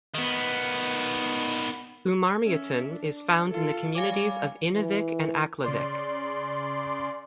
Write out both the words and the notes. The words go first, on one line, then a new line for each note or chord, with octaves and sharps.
Uummarmiutun is found in the communities of Inuvik and Aklavik.
D#3 B3
C#4 E5
D4
F4 A4
G3 C#5 F5 G#5 D6
E3
C#3 D5 C6